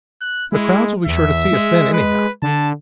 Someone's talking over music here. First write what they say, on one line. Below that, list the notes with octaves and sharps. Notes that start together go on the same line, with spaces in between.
"The crowds will be sure to see us then, anyhow."
F#6
G#3 E4
E2 E5
G#3
B4
D3 A5